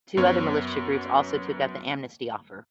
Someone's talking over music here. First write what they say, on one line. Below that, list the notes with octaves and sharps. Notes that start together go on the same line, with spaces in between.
Two other militia groups also took up the amnesty offer.
F#2 B3 C#5